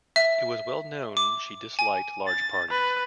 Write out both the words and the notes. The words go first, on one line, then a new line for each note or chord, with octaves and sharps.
It was well known she disliked large parties.
E5
D6
G#5
A6
B4